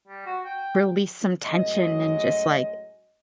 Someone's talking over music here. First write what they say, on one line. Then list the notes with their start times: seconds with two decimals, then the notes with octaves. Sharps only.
release some tension and just, like,
0.08 G3
0.26 F#4
0.45 G5
1.44 F#2 A2 F#3 G#3 D#5